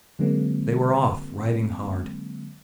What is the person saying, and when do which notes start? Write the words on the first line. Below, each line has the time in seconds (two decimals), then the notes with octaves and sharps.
They were off, riding hard.
0.19 D3 F#3 G#3 A#3 C4